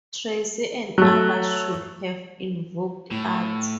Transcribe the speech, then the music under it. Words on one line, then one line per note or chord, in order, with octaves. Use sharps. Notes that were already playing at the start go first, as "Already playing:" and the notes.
Tracey and others should have invoked Art.
F#3 A3
A2